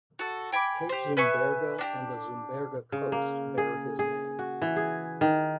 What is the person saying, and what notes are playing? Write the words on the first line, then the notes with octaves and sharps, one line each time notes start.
Cape Zumberge and the Zumberge Coast bear his name.
F#4 A4
G5 G#5 B5 D6
G4 C5
B4 E5 G#5 C#6
D4 F#4 G4
C#3
A#3
G#4
G#4
F#4
E3
G#4
D#3